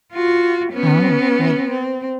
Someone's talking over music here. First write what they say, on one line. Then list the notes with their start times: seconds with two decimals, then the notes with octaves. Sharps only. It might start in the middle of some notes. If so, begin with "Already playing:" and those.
Oh, right.
0.13 F4 F#4
0.72 B3 C#4
1.70 C4